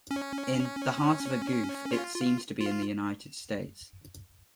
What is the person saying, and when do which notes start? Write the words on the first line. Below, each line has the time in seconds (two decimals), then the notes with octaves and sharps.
In "The Heart of a Goof", it seems to be in the United States.
0.11 C#4
1.93 F4
2.16 F4
2.61 F4